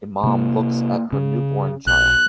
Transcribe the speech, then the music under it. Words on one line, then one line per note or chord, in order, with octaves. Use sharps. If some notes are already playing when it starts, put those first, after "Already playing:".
A mom looks at her newborn child.
C3 A#3
C#3
B1 F#6